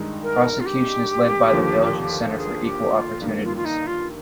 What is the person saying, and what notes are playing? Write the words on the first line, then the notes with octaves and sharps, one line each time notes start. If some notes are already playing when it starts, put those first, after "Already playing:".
Prosecution is led by the Belgian Centre for Equal Opportunities.
Already playing: G2 D#3 G#3 D#4
A#4
F4
G4
D#2 D3 F3 A#3
G#4
G4
F4
G2 D#3 A#3
F4
F4
D#4
F4